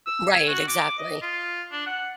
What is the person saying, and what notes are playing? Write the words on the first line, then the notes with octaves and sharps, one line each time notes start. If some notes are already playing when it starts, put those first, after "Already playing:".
Right, exactly.
E6
G#5
F#4
D6
D#5
F4
D4
F#5